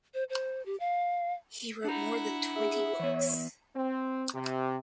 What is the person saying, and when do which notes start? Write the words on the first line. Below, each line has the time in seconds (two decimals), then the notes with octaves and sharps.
He wrote more than twenty books.
0.14 C5
0.30 C5
0.66 G4
0.80 F5
1.84 D4 E4 F#5 A#5
2.56 G#4 E5
2.99 E3 B3 C#5
3.75 C4
4.34 C3